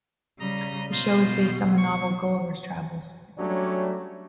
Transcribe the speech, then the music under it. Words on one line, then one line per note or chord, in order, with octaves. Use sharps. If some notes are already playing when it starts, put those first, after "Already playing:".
The show is based on the novel "Gulliver's Travels".
C#3 G3 D#5 A#5 D#6
B2 F4 C5 D#5
C#6
F#3 G3 A3 C#4 D4